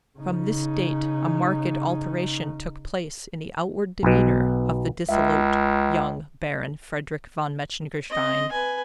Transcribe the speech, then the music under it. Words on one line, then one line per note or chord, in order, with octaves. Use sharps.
From this date a marked alteration took place in the outward demeanor of the dissolute young Baron Frederick Von Metzengerstein.
C#3 D#4
B1 B2
C#2 E5
C4 D#5
B4 G#5